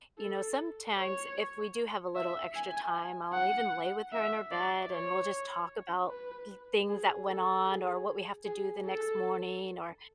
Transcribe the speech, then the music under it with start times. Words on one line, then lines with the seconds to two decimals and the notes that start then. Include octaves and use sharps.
you know, sometimes if we do have a little extra time, I'll even lay with her in her bed, and we'll just talk about thi things that went on or what we have to do the next morning, or
0.18 A4
0.97 C#5
2.15 E5
2.55 G#5
3.33 F#5
4.13 E5
4.52 D5
4.91 C#5
6.09 B4
6.88 G#4
7.28 A4
7.67 G#4
8.46 G#4
8.85 A4